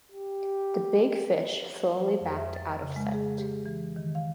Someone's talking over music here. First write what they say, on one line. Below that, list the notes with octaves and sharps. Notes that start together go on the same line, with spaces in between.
The big fish slowly backed out of sight.
G4
F3
C5
F2
E5
A6
C#3
G#3
G#4
G4
E3
D#3
F5